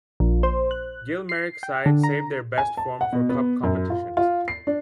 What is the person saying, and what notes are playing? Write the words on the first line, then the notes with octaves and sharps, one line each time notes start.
Gil Merrick's side saved their best form for cup competitions.
A#1
C5
F#6
C7
G5
D3
A#5
G#5
A5
F#5
B2
B3
F#2
F4
F4
C7
D4